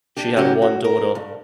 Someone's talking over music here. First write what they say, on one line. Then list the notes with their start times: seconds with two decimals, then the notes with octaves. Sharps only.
She had one daughter.
0.17 D4 G4
0.36 C#3 F#3 C#4 F#4 G4
0.62 F#4
0.84 A#4
1.15 G2